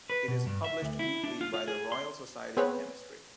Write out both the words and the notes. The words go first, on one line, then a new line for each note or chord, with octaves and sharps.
It is published weekly by the Royal Society of Chemistry.
B4
B2
G2
E5
D2
E4
D4
F4
F4
G#4
C6
B3 C4 G#4 B4 C#5